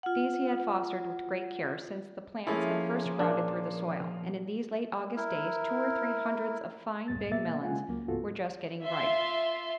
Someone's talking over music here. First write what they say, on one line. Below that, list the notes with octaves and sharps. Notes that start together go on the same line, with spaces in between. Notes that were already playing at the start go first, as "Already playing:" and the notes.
These he had fostered with great care since the plants had first sprouted through the soil, and in these late August days two or three hundreds of fine, big melons were just getting ripe.
F4 F#5
F3 A3 A#3 C#4 E4 G#4
A#2 D4
E4 A#4
C#2 F#2 A2 G3 A6
B2 A#3 B3 E5 A6
C#3 G#3 C#4 F4 F#5 G#5
C#2 F#3 A#3
C#2 G#2 B3 F4 F#4 A4
F4 E5 C6